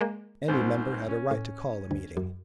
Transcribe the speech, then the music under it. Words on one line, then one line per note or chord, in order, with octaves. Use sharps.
Any member had a right to call a meeting.
G#3 A#3
C2 G#2 C5
C#4
A2
D2
F#2